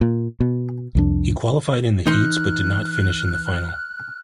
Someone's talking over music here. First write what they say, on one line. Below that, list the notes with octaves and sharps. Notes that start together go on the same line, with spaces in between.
He qualified in the heats but did not finish in the final.
A#2
B2
C2 F2 D4
E3 D#4 C6 F6 F#6